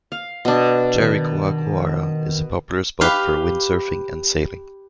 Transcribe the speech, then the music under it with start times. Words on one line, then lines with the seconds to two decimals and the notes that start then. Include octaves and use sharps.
Jericoacoara is a popular spot for windsurfing and sailing.
0.12 F5
0.45 B2 D4
1.00 D#3
3.01 G4 B4 F5